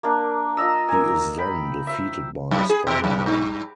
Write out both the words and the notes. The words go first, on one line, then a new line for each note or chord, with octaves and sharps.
He is then defeated by Spider-Man.
A#3 D4
F4 D#5 A#5 E6
A#4 G#5
G5 B5
C5 E5
F#2
G#4
B2
F#2
G2